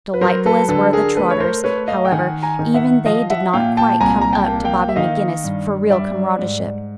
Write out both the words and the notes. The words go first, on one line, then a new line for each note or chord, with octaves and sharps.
Delightful as were the Trotters, however, even they did not quite come up to Bobby McGinnis for real comradeship.
B4
F#3 A#4 C5
A4 B4
D3 A4 B4
G#4 A#4
A3 A4 B4
C#5
A#4 C5
A3 B4 C#5
D#5 F5
G5
D#3 F#5 G#5
G#5 A#5
D#3
E5 F#5
F3 D#5 F5
E5 F#5
A#2 F5 G5
G5 A5
C2 G#5 A#5
A#5
G5 A5
A#3
F5 G5
E5
D#3 D#5 F5
G2
G3 D5 E5
G#2